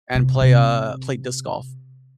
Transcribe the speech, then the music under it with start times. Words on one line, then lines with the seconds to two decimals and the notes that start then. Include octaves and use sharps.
and play, uh play disc golf.
0.15 C3
0.41 C3